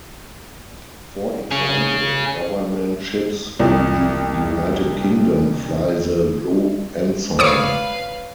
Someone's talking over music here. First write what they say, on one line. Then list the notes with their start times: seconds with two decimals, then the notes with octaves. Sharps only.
For example, government ships in the United Kingdom fly the Blue Ensign.
1.51 C#4 G#4
3.59 C2 F2
7.39 B4 C#5 D5 F5 D6 D#6 C#7